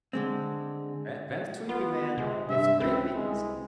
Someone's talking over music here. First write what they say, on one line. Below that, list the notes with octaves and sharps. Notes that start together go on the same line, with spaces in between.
Vent vent-sweeping, man, it's great because
D3 G#3 C4
B3 F4
C3 G#3
G2 E5
C#2 C4 B4
C2 G#3